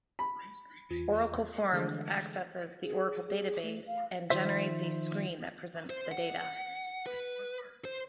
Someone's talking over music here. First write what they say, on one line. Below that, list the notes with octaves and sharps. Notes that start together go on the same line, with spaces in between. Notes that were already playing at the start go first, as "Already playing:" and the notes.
Oracle Forms accesses the Oracle database and generates a screen that presents the data.
B5
E2 F4
D3 E3 G#3 A3 D4 A4
G#4
G#4
A3
F5
D#3 F3 C5 E5
C5
F#5
B4
C5